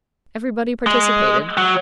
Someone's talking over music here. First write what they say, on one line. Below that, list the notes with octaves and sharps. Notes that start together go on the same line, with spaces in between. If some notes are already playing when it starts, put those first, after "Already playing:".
Everybody participated.
G#3
F#3